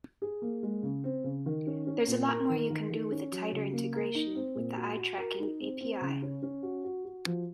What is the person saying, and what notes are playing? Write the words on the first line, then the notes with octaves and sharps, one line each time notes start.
There's a lot more you can do with a tighter integration with the eye tracking API.
G#4
A#3
G#3
C#3
C4
C#3
D#3
C#4
C#4
A#2
A#4
D#3
D#3
D#3
C#4
F#3
C#3
A#3
A#4
D#4
C4
A#2
F#4
F#4
A#4
D#4
C4
C4
C#3
C#4
C#4
F#4
F#4
F#4
F3